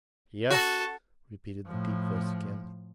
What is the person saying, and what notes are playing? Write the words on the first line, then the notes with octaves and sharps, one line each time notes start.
"Yes," repeated the deep voice again.
F#4 A4
A2 F3